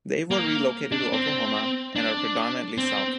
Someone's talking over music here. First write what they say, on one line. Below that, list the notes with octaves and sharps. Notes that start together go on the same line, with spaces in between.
They were relocated to Oklahoma and are predominantly Sauk.
A#3
D4
C4
D4
C4